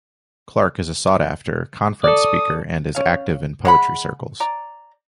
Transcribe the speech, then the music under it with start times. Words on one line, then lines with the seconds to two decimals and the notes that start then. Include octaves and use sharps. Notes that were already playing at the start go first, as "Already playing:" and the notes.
Clarke is a sought-after conference speaker and is active in poetry circles.
2.04 A4 D5 D#6
2.95 C#4 F5
3.65 G#3 F#5 B5
4.40 D5 A#5